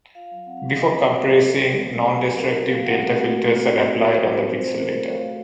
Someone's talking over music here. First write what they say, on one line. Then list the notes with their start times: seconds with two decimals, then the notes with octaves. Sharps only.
Before compressing, non-destructive delta filters are applied on the pixel data.
0.15 F4 F5
0.31 F#3
0.46 C4 F#5
0.57 F5
0.62 F#3
0.68 F5
0.79 C4 D#5
0.94 F#4 C#5
1.10 F#4 C5
1.26 C4 A4
1.42 C4 A4
1.58 F#3
1.74 A3
1.89 F#3
2.05 F#4 A4
2.21 C4
2.36 D#4 A#4
2.52 C4 A4
2.68 F#4 F5
2.84 A3 F#5
3.00 C4 A#4
3.16 A3 F#4
3.32 F#4 A4
3.47 C4
3.63 D#4
3.79 C4
3.95 F#4 A#4
4.10 C4 C5
4.27 D#4
4.42 C4
4.58 F4 C5
4.74 A3 A#4
4.90 C4 A4
5.00 C#5
5.06 A3
5.11 F5
5.21 F#4